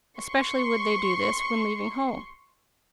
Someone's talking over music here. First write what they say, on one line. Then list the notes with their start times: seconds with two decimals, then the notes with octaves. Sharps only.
Especially would they do this, when leaving home.
0.20 C6 C#6